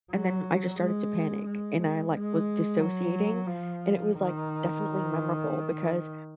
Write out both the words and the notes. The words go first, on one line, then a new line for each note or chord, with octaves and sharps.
and then I just started to panic and I, like, was dissociating and it was, like, definitely memorable because
F#3
G#3
G#3
G#3
F#3
F3
D#3